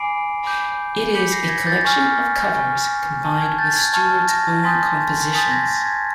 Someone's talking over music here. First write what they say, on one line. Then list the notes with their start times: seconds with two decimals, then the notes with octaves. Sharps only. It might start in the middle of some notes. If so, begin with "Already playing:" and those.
It is a collection of covers combined with Stewart's own compositions.
Already playing: G#5 B5 D6 C7 D7
0.44 B5 D6 G6
1.15 B5 D6 G6 B6 C#7
1.32 A#6 C7
1.43 B6
1.49 G#6 A#6
1.67 G6 A6
1.85 G#5 C#6 F6
2.54 G#5 C#6 F6
3.24 A5 C#6 F6
3.41 G#6
3.58 G6 A6
3.76 G#6
3.94 A5 C#6 F6 G#6
4.28 G#6 A#6
4.64 G#5 C6 D#6 G6 A6 B6
5.33 G#5 C6 D#6 G6 A6 B6
5.51 G#6 A#6
5.68 G#6
5.86 G#6